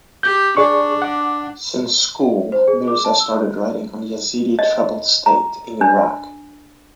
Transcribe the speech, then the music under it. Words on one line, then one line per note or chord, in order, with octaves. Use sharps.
Since school Mirza started writing on Yazidi troubled state in Iraq.
G4 G6
D4 G#4 D5 C#6
F#5 D6
C5
G#4
D6
A5
E6
D#5
A#5
D4